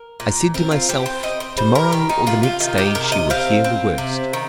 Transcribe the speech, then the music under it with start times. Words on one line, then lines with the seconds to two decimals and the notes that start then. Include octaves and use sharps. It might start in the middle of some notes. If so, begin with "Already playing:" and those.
I said to myself, to-morrow, or the next day, she will hear the worst.
Already playing: A#4
0.20 A#2
0.54 C4 A#4
0.71 F4
0.89 C4 G4
1.06 C5
1.23 C4 D#5
1.40 C5
1.57 G3 C5
1.75 A#4
1.92 D#3 G4
2.09 D#4
2.27 C3 F4
2.43 F4
2.60 D#3 F4
2.78 G4
2.95 C3 A#4
3.12 D#5
3.30 C4 F5
3.64 C4
3.98 C3
4.33 D#3